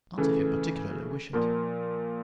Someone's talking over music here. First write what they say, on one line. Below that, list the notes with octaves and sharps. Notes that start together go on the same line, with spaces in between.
"Not if you particularly wish it."
C#3 E3 A3
A#2 F3 A#3